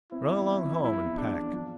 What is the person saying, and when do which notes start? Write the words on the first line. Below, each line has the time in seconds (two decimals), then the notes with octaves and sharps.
Run along home and pack.
0.12 C4 E4
0.29 E2
0.47 C4
0.64 F3
0.83 F3 E4
1.01 E2
1.17 E2 D4
1.36 E2
1.53 F3